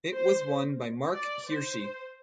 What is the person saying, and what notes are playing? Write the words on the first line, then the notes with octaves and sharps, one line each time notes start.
It was won by Marc Hirschi.
C5
D5
C5